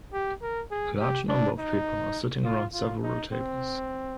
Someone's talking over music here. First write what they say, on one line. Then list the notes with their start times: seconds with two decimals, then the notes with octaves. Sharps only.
A large number of people are sitting around several tables.
0.13 G4
0.42 A#4
0.71 G#4
1.00 G4
1.29 D4
1.59 D#4
2.45 F4
2.74 F4
3.03 D#4
3.32 C4